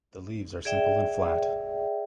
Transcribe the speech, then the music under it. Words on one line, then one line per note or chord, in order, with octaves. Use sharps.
The leaves are simple and flat.
G#4 D5 E5 G5